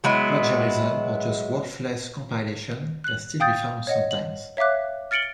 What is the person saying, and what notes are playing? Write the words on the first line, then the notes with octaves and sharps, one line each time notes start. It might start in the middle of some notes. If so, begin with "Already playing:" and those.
Plagiarism or just worthless compilations can still be found sometimes.
F#3 G#3 B3 E4
F#6 F#7
F5 G5 D#6 G6 A6
C#5 D#5 F#5
F#7
C#5 E5 F5 D6 F#6
F6 A6 C#7 D7 F#7 G7